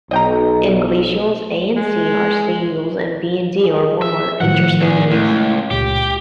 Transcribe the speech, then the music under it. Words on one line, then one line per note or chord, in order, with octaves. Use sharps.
In glacials a and c are stadials and b and d are warmer interstadials.
B1 D#5 G5 A#5
G#3
G#4
E5
A2 D#3 F3 F#5
E2 G#4
C#2 A3 E4
C#2 A#2 G4